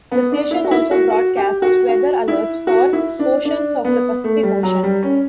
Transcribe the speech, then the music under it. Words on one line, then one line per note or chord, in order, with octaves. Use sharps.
The station also broadcasts weather alerts for portions of the Pacific Ocean.
B3
D4
E4
F#4
E4
F#4
F#4
G4
F#4
F#4
E4
F#4
E4
D4
D4
B3
A3
G3
F#3
G3
C#4